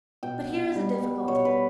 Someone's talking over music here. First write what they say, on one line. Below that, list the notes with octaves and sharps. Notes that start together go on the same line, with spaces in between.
But here is a difficulty.
B2 G5
B2
G3
B3
B2 C#5
B4